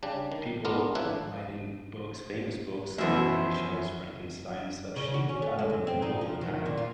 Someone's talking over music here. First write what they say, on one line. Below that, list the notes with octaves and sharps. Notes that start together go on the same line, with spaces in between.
people writing books, famous books like Mary Shelley's "Frankenstein" and stuff. She got up in the middle of the night
C#3 G3 D4
D#3
A#3 B3 D4 F4 A#4
G#1 A2 F3 D4 E4 B4
F#2 B2 E3 F3 E5
C#3
F#4
C#4
A3
G#3
F2
C4
D#4
F3
D#3
A#2
F4